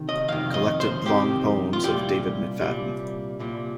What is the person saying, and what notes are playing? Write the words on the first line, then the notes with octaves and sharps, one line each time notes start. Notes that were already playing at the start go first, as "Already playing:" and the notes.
Collected Long Poems of David McFadden.
Already playing: C3 D#3
D#5
F2 C3 D#3 F5
D#5
C5
F2 C3 D#3 G4
F4
C2 A#2 G3 G4
C2 A#2 G3
C2 A#2 G3